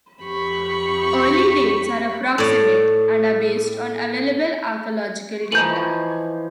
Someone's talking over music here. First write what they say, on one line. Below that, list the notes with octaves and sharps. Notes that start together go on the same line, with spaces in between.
Early dates are approximate, and are based on available archaeological data.
F2 G4 B5 C#6
A2 C#5 D5
E3 F3 D#4 G6 F#7